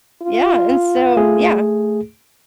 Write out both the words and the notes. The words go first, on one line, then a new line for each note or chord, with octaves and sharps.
Yeah, and so yeah.
F4
A3 G#4